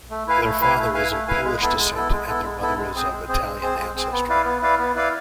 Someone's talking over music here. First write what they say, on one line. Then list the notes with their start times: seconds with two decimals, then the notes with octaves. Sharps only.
Their father is of Polish descent and their mother is of Italian ancestry.
0.10 A3
0.27 E4 B4 F5 G#5
0.44 A3
0.61 E4 B4 F5 G#5
0.78 A3
0.94 E4 B4 F5 G#5
1.11 A3
1.28 E4 B4 F5 G#5
1.44 G#3
1.61 B3 E4 A4
1.78 G#3
1.95 B3 E4 A4
2.11 G#3
2.28 B3 E4 A4
2.45 G#3
2.61 B3 E4 A4
2.77 G#3
2.95 C4 G#4 C5
3.12 G#3
3.28 C4 G#4 C5
3.45 G#3
3.61 C4 G#4 C5
3.78 G#3
3.95 C4 G#4 C5
4.12 B3
4.29 E4 B4 D5 F5
4.45 B3
4.62 E4 B4 D5 F5
4.79 B3
4.95 E4 B4 D5 F5